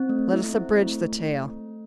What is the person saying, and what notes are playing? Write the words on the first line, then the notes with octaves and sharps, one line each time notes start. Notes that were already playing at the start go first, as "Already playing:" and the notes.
Let us abridge the tale.
Already playing: C4
A3
E4
C4
A3
A3
C4
A3